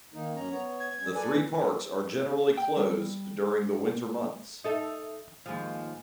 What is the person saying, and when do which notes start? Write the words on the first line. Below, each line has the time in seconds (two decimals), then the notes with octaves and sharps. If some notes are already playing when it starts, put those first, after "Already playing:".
The three parks are generally closed during the winter months.
0.14 D#3 A#3 D#4
0.34 F#2 C#4 A#5
0.50 B3 C#5
0.79 G#6
0.99 G3 C#4
1.14 A4 B4 D5 G#5
2.57 G5
2.77 G3
4.64 D#4 A4 E5
5.46 D#2 G#2 F3